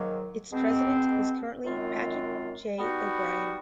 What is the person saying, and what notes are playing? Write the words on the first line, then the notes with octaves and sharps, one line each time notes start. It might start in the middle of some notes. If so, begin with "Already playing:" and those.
Its president is currently Patrick J. O'Brien.
Already playing: G#2 D#3 F#3 A#3
B2 G#3 C4
F#2 D#3 G#3 C4 F4
G3 B3 D#4 F#4